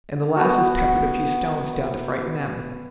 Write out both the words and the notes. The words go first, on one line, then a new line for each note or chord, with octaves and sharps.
And the lasses peppered a few stones down to frighten them.
B3 F#4